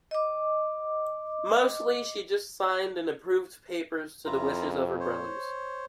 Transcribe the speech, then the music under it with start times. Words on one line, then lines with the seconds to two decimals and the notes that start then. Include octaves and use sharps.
Mostly she just signed and approved papers to the wishes of her brothers.
0.11 D#5 D6
4.25 F2 E4 F4 A#5
5.00 C5 C#5